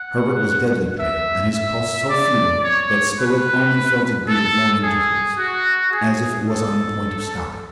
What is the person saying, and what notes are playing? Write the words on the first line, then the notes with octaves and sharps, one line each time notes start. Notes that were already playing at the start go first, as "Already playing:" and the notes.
Herbert was deadly pale, and his pulse so feeble that Spilett only felt it beat at long intervals, as if it was on the point of stopping.
Already playing: F#5
E5
E5
D5
C#5
B4
A4
G#4
F#4
G#4
A4